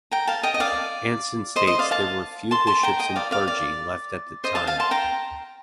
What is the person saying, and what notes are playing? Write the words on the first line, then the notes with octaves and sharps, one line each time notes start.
Anson states there were "few bishops and clergy" left at the time.
G5 A#5
F5 A5
D#5 G5
D#5
D5 F5
C5 D#5
C5 D#5
D5 F5
F5 A5
A5 C6
A5 C6
G5 A#5
D#5 G5
D5 F5
D5 F5
D5
C5 D#5
F5 A5
F5 A5
A5 C6
G5 A#5